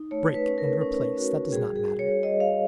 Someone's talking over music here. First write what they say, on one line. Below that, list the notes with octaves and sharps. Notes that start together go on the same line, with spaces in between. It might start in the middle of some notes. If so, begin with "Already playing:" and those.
Break and replace; that does not matter.
Already playing: D#4
A3 C#5
B4
C#4
A#4
C#4
F#4
G3 G#4
G#4
G3
C#5
G3 D#5
F5